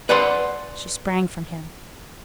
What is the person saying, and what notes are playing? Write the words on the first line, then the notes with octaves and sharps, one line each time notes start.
She sprang from him.
B4 D5 F#5 G#5 C6